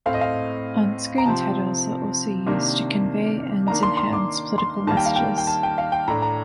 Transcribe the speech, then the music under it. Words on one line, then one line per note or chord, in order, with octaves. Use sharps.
Onscreen titles are also used to convey and enhance political messages.
A2 A3 C4 F5
D#5
F5
A#5
C3 F3 C4 A5
C3 D#3 A#3 D4
D#3 A#3 D4 A#5
C6
C6
D6
C6
D#3 G3 A#3 A5
G5
F5
G5
G5
A5
G5
F5
G5
A2 A3 D4 A#5
A#5